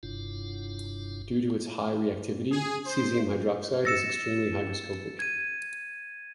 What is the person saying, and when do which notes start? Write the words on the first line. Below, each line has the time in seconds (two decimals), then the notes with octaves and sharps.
Due to its high reactivity, caesium hydroxide is extremely hygroscopic.
0.03 F#1 G2 C3 D4 E4 F4
2.52 G#4
2.86 C5
3.85 E6 A6 A#6 C#7 E7
5.19 G#6 D#7